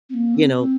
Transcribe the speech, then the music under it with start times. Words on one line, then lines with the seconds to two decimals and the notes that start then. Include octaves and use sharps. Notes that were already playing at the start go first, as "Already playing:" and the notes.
you know,
0.10 C4
0.14 A#3
0.34 C4
0.56 C4